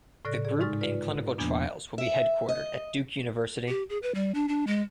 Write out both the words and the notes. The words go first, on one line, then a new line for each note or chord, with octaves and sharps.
The group and clinical trials will be headquartered at Duke University.
A2 C#3 A4 D5 F#6 A#6
G#4 D5
G#2 G#3 D#4 C#6 F6 A6
F4 B4 D5
E2 B2 F3 A#3 B3 D4
E5
D#5
G4
G#4
B4
G3
D4
D4
G#3